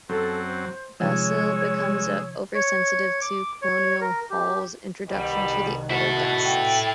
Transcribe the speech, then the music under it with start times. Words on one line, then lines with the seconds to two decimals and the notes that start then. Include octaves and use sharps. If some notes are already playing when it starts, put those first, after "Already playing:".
Basil becomes oversensitive to Colonel Hall's introduction to the other guests.
0.09 F#2 F#3 C4 A4
0.48 C5
1.00 C3 D#3 F3 G#3 C#5 E6
2.55 C#5
3.22 D6
3.62 C#5
4.01 A#4
4.30 G4
5.09 C2 B2 D#3 G3
5.90 E2 B2 E4 F#4 A4
6.45 G5